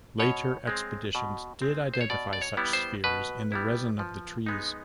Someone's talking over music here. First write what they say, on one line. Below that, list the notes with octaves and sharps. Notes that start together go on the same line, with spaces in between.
Later expeditions did identify such spheres in the resin of the trees.
B2 C#5
G#3 C4
B2
G#3 C4
C5
C#5
B2 D5
D5
C#5
G3 B3 E4
C5
B2 B4
G3 B3 E4
F3
G#3 B3 D#4